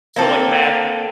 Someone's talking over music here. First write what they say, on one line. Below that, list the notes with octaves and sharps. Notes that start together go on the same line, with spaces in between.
So, like, map
A#3 C4 A4